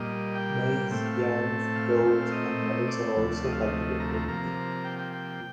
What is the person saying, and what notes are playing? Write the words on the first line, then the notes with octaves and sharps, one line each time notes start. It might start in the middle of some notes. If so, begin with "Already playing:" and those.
Maize, yams, gourds and melons are also cultivated.
Already playing: A#2 G3 A#3 D#5
G5
A2 A3 C4 G5
F5
A5
F5
F5
A#2 A3 C4
D#5
D5
D2 C3 F3 A3
D#5
F5
D#5
A#5
A#5
C3 F3 A#3 A#5
G5
G5
G5